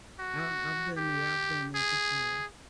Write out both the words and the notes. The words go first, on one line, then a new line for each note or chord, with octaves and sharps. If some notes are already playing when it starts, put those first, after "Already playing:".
I've I've been there, I've been there for sure.
F#4
G4
G#4